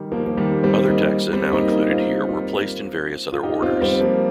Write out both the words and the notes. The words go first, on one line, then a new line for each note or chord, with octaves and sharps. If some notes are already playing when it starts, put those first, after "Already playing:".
Other taxa now included here were placed in various other orders.
Already playing: D#3 G3
F3 A#3
A#3
D#3 G3
G3 C4
A#3 D#4
G3 C4
A#3 D#4
A#3 D#4
C4 F4
C4 F4
F4
D#4 G4
C4 F4
G3 C4
F3 A#3